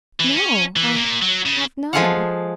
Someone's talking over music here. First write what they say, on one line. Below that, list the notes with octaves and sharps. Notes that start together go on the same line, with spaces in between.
"No; I have none."
E3
C#4
E3
A#2
F#3
C#3
F3 G#3 G#4 A4 F5 F#5